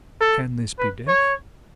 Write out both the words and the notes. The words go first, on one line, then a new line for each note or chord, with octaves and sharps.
'Can this be death?
A4
B4
C#5